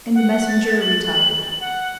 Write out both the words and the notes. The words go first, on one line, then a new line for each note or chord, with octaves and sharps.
And the messenger retired.
F#5
A6
F#7
F#5